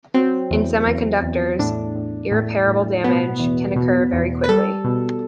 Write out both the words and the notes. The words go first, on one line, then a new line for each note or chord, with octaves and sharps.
In semiconductors, irreparable damage can occur very quickly.
F#3 C4
E2
E2
E2
A2 D4
A2
A2
A2
B2 B3
E2
B2
E2
B4
G3 A4
B2